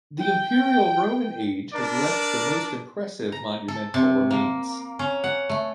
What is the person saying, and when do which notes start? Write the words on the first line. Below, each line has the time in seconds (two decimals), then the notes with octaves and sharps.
The Imperial Roman age has left the most impressive monumental remains.
0.19 G5
1.73 D4 A#4 D5
3.32 A#5
3.68 A4
3.94 C3
4.31 A#3
4.99 C#4
5.24 F#5
5.49 A3